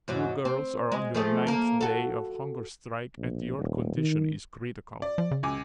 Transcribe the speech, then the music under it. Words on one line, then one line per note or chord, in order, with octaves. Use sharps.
You girls are on your ninth day of hunger strike and your condition is critical.
E2 G#2 F#3
C4
G#3
F3 A3 G#4
A#3 A#4
F#4 A4
A#1
D#1
D#3
D5
F3
C#3
C#2 G#5 D6